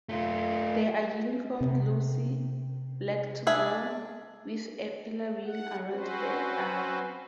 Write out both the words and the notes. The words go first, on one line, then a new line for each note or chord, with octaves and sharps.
They are uniform glossy black to brown, with a paler ring around the eye.
A3 F4
C3
D4 G#4 E5
F#5
C4 C#4 F#4 B4 C5